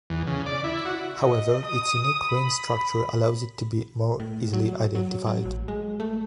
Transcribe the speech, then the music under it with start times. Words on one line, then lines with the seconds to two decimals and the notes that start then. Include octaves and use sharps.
However, its unique ring structure allows it to be more easily identified.
0.10 E2
0.27 C#3
0.46 D5
0.64 E4
0.85 F#4
1.19 D#5
1.66 D#6
2.30 B5
4.20 A2
4.53 F#3
4.95 F#3
5.27 F#3
5.45 A1
5.68 G#3
6.00 A3